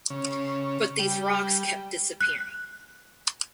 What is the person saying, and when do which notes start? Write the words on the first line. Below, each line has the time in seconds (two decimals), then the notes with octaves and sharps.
But these rocks kept disappearing.
0.10 C#3
0.99 G3
2.21 F#6